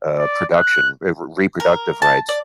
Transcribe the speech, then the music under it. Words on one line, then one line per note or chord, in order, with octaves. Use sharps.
uh, production eh, re reproductive rights
D5
F#6
A#4
A5
D5